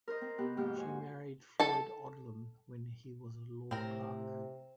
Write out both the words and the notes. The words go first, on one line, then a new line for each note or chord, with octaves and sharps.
She married Floyd Odlum when he was a law clerk.
A#4 C5 D#5
C4
C3 B3 G4 F#6
F2 G#2 A#3 G4 F6 G6
F#4 C5 G#5
A4 A5
A2 C3 C4 A#4